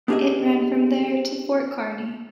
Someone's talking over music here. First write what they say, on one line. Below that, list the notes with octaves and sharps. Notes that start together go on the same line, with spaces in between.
It ran from there to Fort Kearny.
B3 D4 G4 G#4 D#5 E5